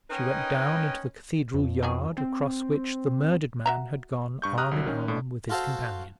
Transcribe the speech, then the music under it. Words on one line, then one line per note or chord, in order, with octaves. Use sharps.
She went down into the cathedral yard, across which the murdered man had gone arm-in-arm with his companion.
C#4 D#4 A#4 B4 D#5 G5
F2
D#3 F#3 G#4
C4
F#4 E5 A#5
G2 C#6 G6
G4 A#5 D#6 F6 F#6
C2 F#3
D#3 C#4
A2 D4
F4 F#4 A4 C5 F5